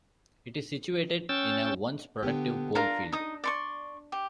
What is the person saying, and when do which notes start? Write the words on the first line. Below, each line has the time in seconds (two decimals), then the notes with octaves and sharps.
It is situated in a once productive coal field.
1.29 C#4 G5 E6 A6
2.23 D3 B3 G4
2.75 D4 F4 A#4 A#5
3.12 D#4 D#6
3.44 D5 C6 C#6
4.12 G4